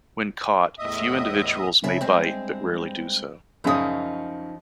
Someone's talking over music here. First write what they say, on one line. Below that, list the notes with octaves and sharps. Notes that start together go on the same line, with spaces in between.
When caught, a few individuals may bite, but rarely do so.
E2 A2 D#5 E5 D#6
F2 C#3 E5
G2 G#3 C4
F#2 C#3 F3 D#4 D#6